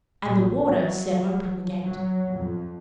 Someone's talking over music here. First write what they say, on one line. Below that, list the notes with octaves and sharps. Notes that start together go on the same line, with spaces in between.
And the Warder set open the gate.
A#1
F#3
F#3
F2